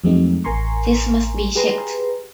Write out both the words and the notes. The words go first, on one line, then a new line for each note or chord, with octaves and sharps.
This must be checked.
F2 F#3 G#3 A3 C4 D#4
A1 A#4 G#5 A#5 C6 C#6
G4 G#4 B4 A#5 C6